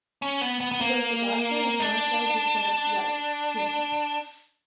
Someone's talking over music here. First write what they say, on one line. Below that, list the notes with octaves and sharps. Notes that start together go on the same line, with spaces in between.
He was the godson of Marcel Duchamp's wife, Teeny.
C#4
B3
B3
B3
A#3
D4